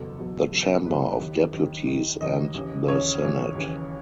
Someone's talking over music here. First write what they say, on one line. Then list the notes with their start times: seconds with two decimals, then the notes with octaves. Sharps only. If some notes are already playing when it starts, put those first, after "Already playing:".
The Chamber of Deputies and the Senate.
Already playing: F#1 E2 B2 A4
0.18 F#1 E2 B2
0.52 F#1 E2 B2
0.86 F#1 E2 B2 B4
1.20 D#2 D#3
1.53 D#2 D#3
1.87 D#2 D#3
2.21 D#2 D#3 D#5
2.54 D#2 C#3 E3
2.87 D#2 C#3 E3 C#5
3.21 D#2 C#3 E3
3.55 D#2 C#3 E3